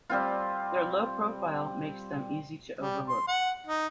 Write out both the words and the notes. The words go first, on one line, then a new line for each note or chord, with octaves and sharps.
Their low profile makes them easy to overlook.
G3 C4 F4
G3
C6
F#5
D#4